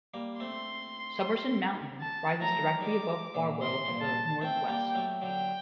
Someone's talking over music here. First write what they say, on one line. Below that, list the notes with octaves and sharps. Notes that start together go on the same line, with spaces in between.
Summerson Mountain rises directly above Farwell to the northwest.
G3 A#3
A3 C4 C6
A5
F#3 A3 A#5
D#3 G3 D6
A#2 D3
A2 C3 C6
G2 A#2
A5
A3 C4 G5
G3 A#3
F#3 A3
D3 F#3 G5